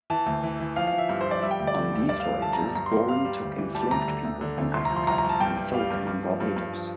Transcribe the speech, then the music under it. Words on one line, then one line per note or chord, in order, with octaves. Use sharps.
On these voyages Doran took enslaved people from Africa and sold them in Barbados.
E3 A5
D2
E3
E3
F3 F5
F5
F3
E5
G2
C5
F3
D5
G3 E5
G5
D2
D5
D3
D2
G2 D5
F5
F3
D3 A5
A#5
G2
A5
G2 A#5
C6
G2
C6
G3 F5
G3
D2
E3
G3 A5
D2 A#5
D3
D2
D3
D2
C2 C6
A#5
F3
C6
C2 A#5
A#5
C2
A5
G2 G5
G2
G3 F5
G2
G2
F3
G2
G2
F3